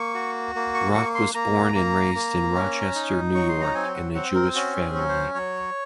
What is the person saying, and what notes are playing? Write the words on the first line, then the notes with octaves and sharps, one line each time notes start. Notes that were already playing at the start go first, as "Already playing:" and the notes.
Rock was born and raised in Rochester, New York, in a Jewish family.
Already playing: A#3 C#6
F#4
A#3
C#6
A#3 C#6
C6
A#3 A#5
A#3
A#3
C#4
D#4
F#3 C#6
C6
A#5
C4 G#5
F#5
C4 F#5
A#4
C#4 F#4
G#4
F#3
C5
F#3 C#5